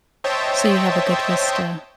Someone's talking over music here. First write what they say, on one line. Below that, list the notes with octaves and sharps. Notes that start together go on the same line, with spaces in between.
So you have a good vista.
C5 C#5 D#5 E5 G5 A5